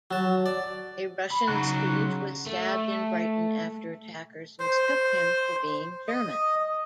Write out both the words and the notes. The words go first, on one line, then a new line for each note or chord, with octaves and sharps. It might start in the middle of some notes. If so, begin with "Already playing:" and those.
A Russian student was stabbed in Brighton after attackers mistook him for being German.
F#3 A5
D5
G2 B5
C#3 F#3 D#4 F#4 F#5
A3
C5
D#5